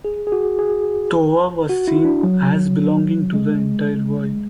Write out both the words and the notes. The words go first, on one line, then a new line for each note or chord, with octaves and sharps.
Tova was seen as belonging to the entire world.
G#4
G#4
F#4
G#4
F#4
E4
D4
F#3
G#3